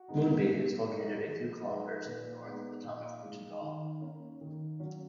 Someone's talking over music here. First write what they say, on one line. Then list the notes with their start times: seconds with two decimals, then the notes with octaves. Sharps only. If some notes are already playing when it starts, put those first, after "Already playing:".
Moonbi is located a few kilometres to the north of the town of Kootingal.
Already playing: F#4
0.08 G#3 B3 D#4
0.49 B2
0.87 G#3 D#4
1.27 F3 G#4
1.66 G#3 D#4 B4
2.05 A#2 B4
2.44 G#3 B3 D#4 B4
2.84 A#2 F5
3.23 G#3 D#4
3.62 D#3
4.01 A#3 C#4
4.41 D#3
4.80 F#3 C#4